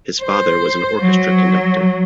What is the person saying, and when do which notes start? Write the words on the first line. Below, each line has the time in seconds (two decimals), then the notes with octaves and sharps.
His father was an orchestra conductor.
0.23 C5
1.01 F#3